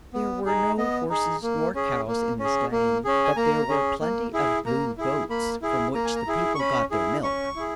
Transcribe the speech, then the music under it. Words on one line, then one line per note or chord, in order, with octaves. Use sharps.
There were no horses nor cows in this land, but there were plenty of blue goats, from which the people got their milk.
B3
D#4 G#4
B3 D#5
D#4 G#4
A#3
C#4 G#4
A#3
C#4
G#4
A#3
C#4 G#4
G#5
A#3 A#5
C#4 G#4
A#3
E4 G#4
A#3 A#5
E4 G#4
A#3 B5
E4 G#4
A#3 A#5
G#5
A#5
E4 G#4
C#6
C#4 B5
E4 G#4
C#4 C#6
E4 G#4